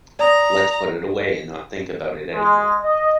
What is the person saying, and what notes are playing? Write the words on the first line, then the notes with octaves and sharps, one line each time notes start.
Let’s put it away and not think about it anymore.
D5 A#5 D#6
G#3
D#5